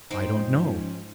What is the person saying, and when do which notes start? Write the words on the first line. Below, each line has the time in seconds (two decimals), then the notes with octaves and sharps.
"I don't know."
0.11 G#2 F3 C#4 D#4 C5 G5